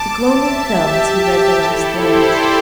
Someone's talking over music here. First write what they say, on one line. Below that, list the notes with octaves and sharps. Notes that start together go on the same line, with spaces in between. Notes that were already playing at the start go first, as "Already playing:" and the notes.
The gloaming fell as he read the last lines.
Already playing: A5 D6
E5 A5
G4
G4
E4 A4
G4 C5
A4 D5